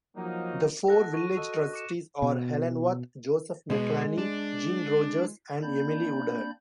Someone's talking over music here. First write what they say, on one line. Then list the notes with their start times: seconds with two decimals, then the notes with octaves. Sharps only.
The four village trustees are Helen Worth, Joseph McLarney, Gene Rogers, and Emily Woodhead.
0.17 F3 F#3 A#3 D#4
0.88 A4 F#5 A5 F#6 A#6
1.14 C#6 D#7
1.36 F#4 A4 D#5
1.73 D6 C#7 E7
2.22 B2
3.70 B2 G#3 B3
4.18 D4
5.62 A#3 C4 D4 D5 B5 G6